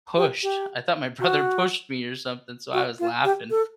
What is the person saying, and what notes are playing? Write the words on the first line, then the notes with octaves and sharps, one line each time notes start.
pushed, I thought my brother pushed me or something, so, I was laughing,
G4
G4
F#4
F#4
F4
G4
A4